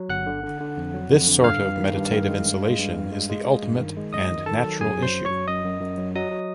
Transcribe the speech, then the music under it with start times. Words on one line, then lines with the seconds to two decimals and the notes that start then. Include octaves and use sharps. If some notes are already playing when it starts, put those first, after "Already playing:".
This sort of meditative insulation is the ultimate and natural issue.
Already playing: F#3
0.09 G1 F#5 F#6
0.26 D3
0.43 D3
0.61 D3
0.77 F2
0.94 F#3
1.10 F2
1.27 D3
1.44 G2 F5 F6
1.61 G2
1.77 D#3
1.95 G2
2.11 D#3
2.28 G#3
2.45 G2
2.62 G#3
2.78 G2
2.96 G2
3.12 G#3
3.29 G#3
3.45 G#3
3.63 G2
3.79 D#3
3.97 G#3
4.13 F#2 D#5 D#6
4.30 D#3
4.46 D#3 A4 A5
4.64 F#3
4.80 F#2 G#4 G#5
4.98 F#3 C5 C6
5.14 F#2
5.25 C#5 C#6
5.31 F#3
5.47 F#2 D#5 D#6
5.64 F#2
5.81 F#2
5.98 F#3
6.16 F#3 D#5 D#6
6.31 F#3